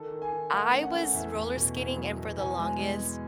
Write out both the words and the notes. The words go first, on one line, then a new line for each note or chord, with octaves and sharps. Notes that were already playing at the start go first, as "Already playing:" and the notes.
I was roller skating, and for the longest
Already playing: D#3 A4
D#3
G#5
D#3
A3 F#5
C#4
F#5
A3
F#5
E2 E5
E2
B2
E2
F#3
B2
E2 G#5
G#3 G#5
G#3
G#3